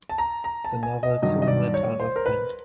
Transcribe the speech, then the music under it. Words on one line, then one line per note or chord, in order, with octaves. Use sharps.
The novel soon went out of print.
A5
A#5
A#5
A5
G#5
D#5
G2 D#3 F#3 D#5
D#5
D5
C#5
C5
A#4
B4